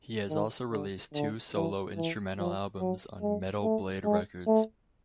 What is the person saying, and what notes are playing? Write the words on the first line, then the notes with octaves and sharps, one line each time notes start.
He has also released two solo instrumental albums on Metal Blade Records.
D#3
D3
D3
E3
E3
F3
F#3
G#3
A3
G#3
A3